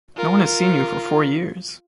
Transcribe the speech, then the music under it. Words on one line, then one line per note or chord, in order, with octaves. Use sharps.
No one has seen you for four years.
F4 A#4